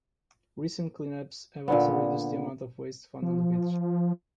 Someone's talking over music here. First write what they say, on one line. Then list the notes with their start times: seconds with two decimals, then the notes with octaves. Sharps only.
Recent clean ups have also reduced the amount of waste found on the beach.
1.68 A#2 D3 B3
3.23 F3